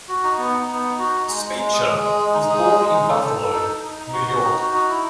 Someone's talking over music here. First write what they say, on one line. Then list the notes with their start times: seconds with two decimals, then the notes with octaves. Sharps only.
Speicher was born in Buffalo, New York.
0.08 F#4
0.24 D#4
0.38 B3
0.54 D#4
0.68 B3
0.84 D#4
0.99 F#4
1.14 D#4
1.28 G#3
1.44 G#3
1.58 G#3
1.73 G#4
1.89 G#4
2.04 G#3
2.18 G#3
2.33 D#4
2.49 G#4
2.63 G#3
2.78 G#3
2.94 D#4
3.08 A4
3.23 A4
3.39 A4
3.53 D#4
3.69 D#4
3.84 D#4
3.99 D#4
4.13 F#4
4.28 F#4
4.44 D#4
4.58 F#4
4.74 D#4
4.89 E4